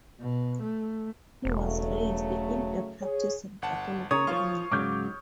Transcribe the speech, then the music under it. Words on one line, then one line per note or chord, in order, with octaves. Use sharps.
He was raised in a practicing Catholic family.
B2
A3
E1 C#3 F#3 A3
G#4 C#5
G1 F#5 A5
C#3 C#5 D#6
F3 F4 F5 C#6
G#2 C#3 F#3 D6 F6 G6